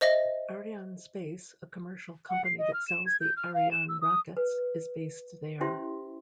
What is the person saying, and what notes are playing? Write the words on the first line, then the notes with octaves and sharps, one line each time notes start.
Arianespace, a commercial company that sells the Ariane rockets, is based there.
C5 D#5 E5 A#6
F#5
C7
D#5
F6
E7
G#6
G6
F6
F5
E7
E6
D#6
B4
C#4 E4 G4 C5 E5 C6